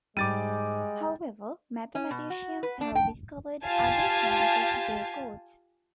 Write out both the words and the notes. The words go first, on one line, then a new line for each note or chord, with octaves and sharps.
However, mathematicians have discovered other kinds of Gray codes.
G#2 G3 G#3 D#4 D6 A6 D#7
C#4
B2
F#4
B4
D4
G5
F4 G4 F5 G#5 A5